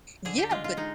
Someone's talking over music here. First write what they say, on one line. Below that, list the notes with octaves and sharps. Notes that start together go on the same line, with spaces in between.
Yeah, but
D3 G#4
G4
G#3 F4
F4
G#3 D#4